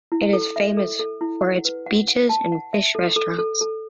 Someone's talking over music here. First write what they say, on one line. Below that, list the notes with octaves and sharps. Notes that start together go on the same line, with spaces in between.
It is famous for its beaches and fish restaurants.
E4
A4
E5
A4
A4
E4
F#5
B4
F#5
F#5
A5
F#5
E5
A4
A4
A4
A4